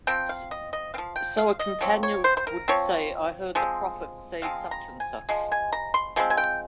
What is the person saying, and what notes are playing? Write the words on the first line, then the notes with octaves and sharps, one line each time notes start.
So a companion would say, I heard the Prophet say such and such.
F3 C4 G5
F5
D#5
D#5
F3 C4 F5
G5
F5
D#5
F3 C4 C#5
C#5
C5
C5
A#4
F3 C4 C#5
F3 G#3 C4
F3 G#3 C4 F5
A#5
G#5
F3 G#3
G#5
A#5
C6
F3 G#3 C4
G#5
G5